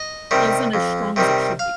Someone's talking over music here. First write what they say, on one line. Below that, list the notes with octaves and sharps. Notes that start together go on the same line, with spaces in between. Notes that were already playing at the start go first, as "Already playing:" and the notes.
isn't as strong as it should be.
Already playing: D#5
C3 D#3 G3
F2
C3 D#3 G3
F5